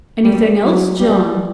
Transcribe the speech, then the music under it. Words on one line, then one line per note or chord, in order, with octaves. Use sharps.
"Anything else, John?"
G3
F#3
G3